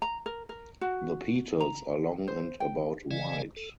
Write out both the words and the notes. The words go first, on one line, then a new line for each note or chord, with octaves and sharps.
The petals are long and about wide.
A#5
A#4
A#4
F#4
A#5
C5
G5
C#3 E3 D5 D#5 F5 G#5
A4